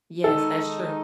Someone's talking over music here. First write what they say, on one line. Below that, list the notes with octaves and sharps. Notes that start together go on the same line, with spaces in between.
Yes, that's true.
D#3 G#3 D#4 A4